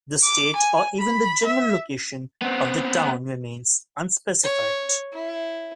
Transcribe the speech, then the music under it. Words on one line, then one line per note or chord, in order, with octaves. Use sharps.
The state or even the general location of the town remains unspecified.
D6
G#5
B5
E5
B3 C4
C#5
E4